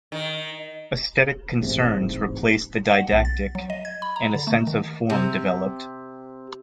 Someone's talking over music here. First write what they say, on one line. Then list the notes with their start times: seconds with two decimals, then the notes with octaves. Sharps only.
Aesthetic concerns replaced the didactic and a sense of form developed.
0.12 D#3
1.62 A1 G#2 C3
2.91 F#5
3.12 B1
3.25 A6
3.55 F#3
3.70 D#5
3.85 G#6
4.02 B5
4.16 A#5
4.35 D3
4.47 A3
4.67 D#3
5.10 C3